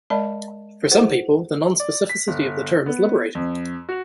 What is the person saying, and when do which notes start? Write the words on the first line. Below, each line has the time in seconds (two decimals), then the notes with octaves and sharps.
For some people, the non-specificity of the term is liberating.
0.10 G#3 A#4 D5 D#5 A5 B5
0.91 E4 F#4 G#4 A4 C5 F#5
1.80 D5
2.09 B6
2.28 G1
2.86 B3
3.35 F2
3.89 F#4